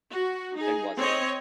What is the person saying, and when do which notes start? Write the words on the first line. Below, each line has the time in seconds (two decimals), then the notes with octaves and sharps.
and was it?
0.11 F#4
0.56 D#4 G#4
0.98 C4 C#5 D#5